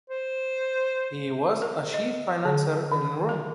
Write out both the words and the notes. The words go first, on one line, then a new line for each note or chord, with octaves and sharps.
He was a chief financier in Rome.
C5
A#4
D#5
D3
D#3
A#4